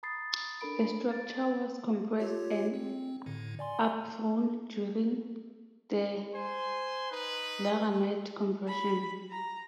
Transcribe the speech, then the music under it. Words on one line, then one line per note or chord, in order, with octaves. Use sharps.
The structure was compressed and upthrown during the Laramide compression.
A#5 B5 D#6 A6 C7
D4 A4 A#4 B5 D7
A6 D7
F4 G4 C#5
C4
A2 D3
D5 G#5 C6
C5 G#5 C6
D#4 B4
B5
A#5